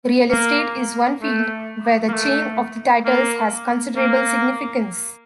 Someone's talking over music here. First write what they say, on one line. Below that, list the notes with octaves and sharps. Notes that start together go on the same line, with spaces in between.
Real estate is one field where the chain of title has considerable significance.
A#3
A3
A#3
A3
A#3
A#3